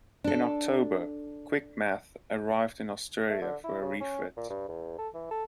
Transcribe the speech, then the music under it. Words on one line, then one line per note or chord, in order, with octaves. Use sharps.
In October, "Quickmatch" arrived in Australia for a refit.
D4 A4
A3
D3
E4
C#3
C#4
A#2
G2
E2
A4
E3
A4